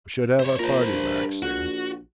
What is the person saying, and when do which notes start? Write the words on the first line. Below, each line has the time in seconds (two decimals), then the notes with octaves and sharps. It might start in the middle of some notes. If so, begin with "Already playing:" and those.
We should have our party back soon.
0.40 C5 C#5
0.59 A#2 A#4 C5
0.92 G2
1.42 A#1 F#4